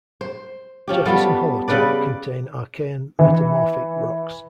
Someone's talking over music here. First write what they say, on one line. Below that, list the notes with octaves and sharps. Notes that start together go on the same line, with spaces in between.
Jefferson-Hollowtop contain Archean metamorphic rocks.
C5
F3 C#4 G4
G3 B3 F4 A4
C#3 G3 B4 D5
E3